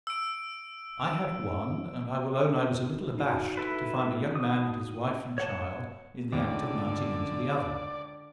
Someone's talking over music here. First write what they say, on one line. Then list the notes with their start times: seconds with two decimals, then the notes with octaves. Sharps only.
I had one; and I will own I was a little abashed to find a young man and his wife and child in the act of mounting into the other.
0.07 E6 D7
3.18 D#4 F#4
3.57 E4 A4 B4
4.35 D#6
5.38 C#5 F#5 A5
6.32 C#2 G#2 D3 D5